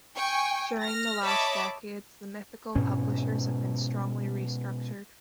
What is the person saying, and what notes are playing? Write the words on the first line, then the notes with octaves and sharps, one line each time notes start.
During the last decades, the mythical publishers have been strongly restructured.
G5 G#5 C#6
F6 A#6
C#5 D#5 E5 A5 B5 D6
G#2 B2 C#4